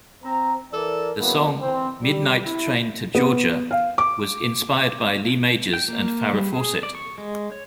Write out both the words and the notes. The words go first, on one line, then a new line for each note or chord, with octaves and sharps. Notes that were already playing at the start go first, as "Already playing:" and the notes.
The song "Midnight Train to Georgia" was inspired by Lee Majors and Farrah Fawcett.
C4 A#5
E3 A4 A#4 D5
C#3 E3 F#3 A#3 B3
E3 C4
G3
E4
B3
F5
D6
G5
A#3
G3
G#4
D5
C#6
G#3
C#5